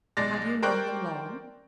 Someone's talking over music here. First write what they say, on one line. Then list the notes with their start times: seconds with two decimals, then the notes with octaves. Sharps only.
"Have you known them long?"
0.17 B1 G#3 D5 A6 A#6
0.62 A#4 C5 D5 G5 C#6 F#6